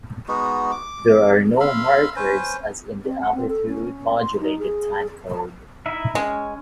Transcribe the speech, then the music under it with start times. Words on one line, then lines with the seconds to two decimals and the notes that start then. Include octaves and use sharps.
There are no markers as in the amplitude modulated time code.
0.28 G#3 B3 D#4 F#4
0.72 D6
1.60 E5 F5 B5 C6
2.16 C#4 B4 C5
3.05 C4
3.20 F#5
3.35 C4
3.49 A4
3.68 C#4
4.20 C6
4.41 D#4
4.59 G#4
5.86 D#4 E4 E5
6.15 G#3 C#4